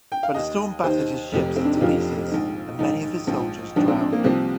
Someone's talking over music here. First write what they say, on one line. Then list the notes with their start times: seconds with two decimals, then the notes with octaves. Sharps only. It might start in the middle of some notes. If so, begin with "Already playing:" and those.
But a storm battered his ships into pieces and many of his soldiers drowned.
0.12 G5
0.23 F5
0.35 D#2 D#3 D#5
0.83 D#2 D#3 C5
1.32 F1 F2 C3
1.56 C4
1.65 D4
1.73 D#4
1.81 F1 F2 C3 F4
2.30 A#1 G#2 D#3
2.79 A#1 G#2 D#3 D#4
3.27 A#1 G#2 F3
3.76 A#1 G#2 F3 D4
3.88 C4
4.00 D4
4.12 A#3
4.24 C2 C3 F3 C4